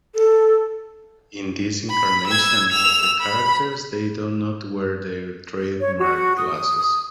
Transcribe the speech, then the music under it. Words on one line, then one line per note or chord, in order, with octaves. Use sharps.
In this incarnation of the characters they do not wear their trademark glasses.
A4
B5
E6 G#6
E6 F7
B5
C#5
F#4
D#6
D#6